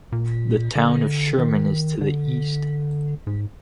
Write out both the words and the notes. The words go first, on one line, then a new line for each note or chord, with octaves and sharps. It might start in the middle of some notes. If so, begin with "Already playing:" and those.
The town of Sherman is to the east.
A#2
D3
D#3
D3
G#2